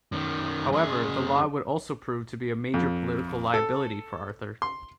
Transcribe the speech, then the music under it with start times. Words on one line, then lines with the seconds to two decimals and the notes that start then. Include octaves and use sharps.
However, the law would also prove to be a major political liability for Arthur.
0.12 F#2 D#3
0.72 F#2 G#4
2.74 F2
3.54 A4
4.62 C6